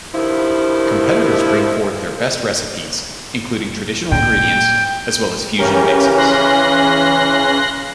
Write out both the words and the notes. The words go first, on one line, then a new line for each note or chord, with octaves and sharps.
Competitors bring forth their best recipes including traditional ingredients as well as fusion mixes.
G2 D#3 F3 E4
A#2 G5
C#3 E3 C#4 G4 A#4
C6 F#6 A#6